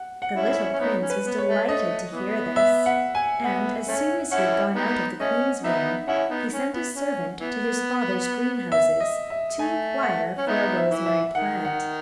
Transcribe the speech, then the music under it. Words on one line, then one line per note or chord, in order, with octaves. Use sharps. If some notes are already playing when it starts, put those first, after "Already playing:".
The little prince was delighted to hear this, and as soon as he had gone out of the queen's room he sent a servant to his father's greenhouses to inquire for a rosemary plant.
Already playing: F#5
F#5
C#4 E4
E5
C#4
B3 D#4 C#5
C#4
B4
B3
C#5
A3
A3 D#5
E3 B3
E5
F#5
G#5
B3 F#5
A3 C#4
C#4 E4 F#5
B3 D#4
A3 C#4 D#5
B3 D#4 E5
C#4 E4 F#5
B3 D#4
C#4
B3
C#4
E3 B3
E5
D#5
E5
A3 G#5
F#5
C#4
B3 D#4 E5
E5
E3
E5
D#3 F#5
F#5